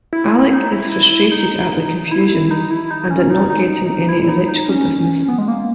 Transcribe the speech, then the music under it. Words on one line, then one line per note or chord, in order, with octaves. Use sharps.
Alec is frustrated at the confusion and at not getting any electrical business.
E4
D#4
E4
E4
D#4
E4
D#4
E4
D#4
C#4
D#4
D#4
E4
D#4
D#4
C#4
B3
G#3
A#3